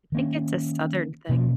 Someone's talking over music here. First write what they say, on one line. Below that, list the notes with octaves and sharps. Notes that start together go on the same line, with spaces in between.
I think it's a Southern thing.
D#3 A#3 C#4
B2 A#3 C#4